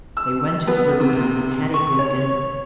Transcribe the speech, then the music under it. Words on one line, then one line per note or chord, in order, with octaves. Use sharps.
They went to the river bank and had a good dinner.
E6
B3
C3
C#6
C#5